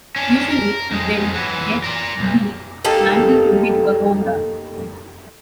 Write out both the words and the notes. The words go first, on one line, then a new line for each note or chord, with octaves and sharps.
Usually, if they'd get beat, Mantle would hit a home run.
C#4 D4
A#4
F2 G#3
E3 F#3
A#4 D5
B1
A#3 D#4 G4 A4